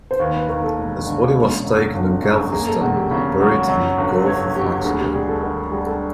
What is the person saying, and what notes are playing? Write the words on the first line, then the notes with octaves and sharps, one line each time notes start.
His body was taken to Galveston and buried in the Gulf of Mexico.
C5
D#2 B4
B4
D#2 A#4
A4
E1
D3
C#3
F#2
G1
F#2
A#3 G#4
A4
E2 G#4
G4
C#3
F#3
F#2
G1
F#2 C#5
F#3 G4
D2 G#4
G#4
G4
G3 G#4
A4
D3 A#4
G3 G#4
A4